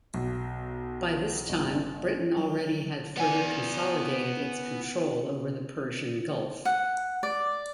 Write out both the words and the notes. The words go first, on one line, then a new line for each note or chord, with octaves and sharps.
By this time Britain already had further consolidated its control over the Persian Gulf.
B1
G1
F#3
B3 G#5
F#5
D5